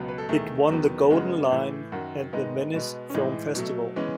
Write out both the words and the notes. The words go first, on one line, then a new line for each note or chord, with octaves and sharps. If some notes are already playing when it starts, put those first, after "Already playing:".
It won the Golden Lion at the Venice Film Festival.
Already playing: C#2 B2 F#3 B3
B4
A4
E2 D#3 A3 G#4
E2 D#3 F#3 B3
F#2 C#3 G#3 B3 F#4
A2 E3 A3
F#2 D#3 F#3 F#4
G#2 D#3 G#3 B3 D#4
B2 G#3 B3
C#4
A2 E3 G#3 D#4
B2 F#3 A3
E3 G#3 B3 C#4